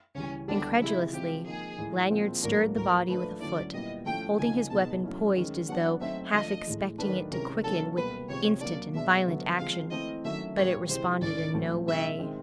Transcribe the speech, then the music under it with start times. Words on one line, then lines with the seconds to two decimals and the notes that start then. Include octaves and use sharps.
Incredulously Lanyard stirred the body with a foot, holding his weapon poised as though half-expecting it to quicken with instant and violent action; but it responded in no way.
0.15 C#3 E3 G3 C#4
0.48 D3 G3 B3 D4 E4
0.80 C3 E3 G#3 E4
1.12 F3 G#3 C4 G4
1.45 F3 A#3 D#4 G#4
1.78 A2 E3 G#3
2.10 A#2 F3 G#3 C4
2.43 A2 F#3 A#3 D4 A#4
2.76 A2 F#3 A#3 A#4
3.08 F3 A3 D4 B4
3.41 D3 F#3 A3 C#4 E4 D5
3.73 A#2 G3 B3 E4 D#5
4.06 F3 A3 C#4 E4 G5
4.38 C#3 F3 A#3 D#4 G#5
4.71 B2 G#3 B3 D#4 A5
5.03 F#3 A3 C#4 E4
5.36 D#3 G#3 C#4
5.68 F#3 B3 D4 F#5
6.00 F#3 A3 C4 D#4 E5
6.34 F3 A3 D4 D#5
6.67 A2 E3 G#3
6.98 D#3 F#3 A3 D4 B4
7.31 C3 D#3 G#3 C#4 E4 A#4
7.64 D#3 F#3 A#3 C#4 A4
7.96 B2 G3 A#3 B4
8.28 C3 F3 G#3 C4 C#5
8.61 F#3 A#3 D4 D5
8.94 B2 G#3 B3 D4 E5
9.27 D3 F#3 B3
9.59 F3 G#3 C4 F5
9.91 E3 A3 C4 E4 D#5
10.24 D#3 F#3 A3 C#4 E4 E5
10.56 A#2 G3 A#3 C#5
10.88 C3 E3 G#3 C4 E4 C5
11.21 A2 E3 A3 C#4 E4 D5
11.54 A2 F#3 A3 C4
11.86 B2 G#3 C#4 E4 E5
12.19 D#3 G#3 C4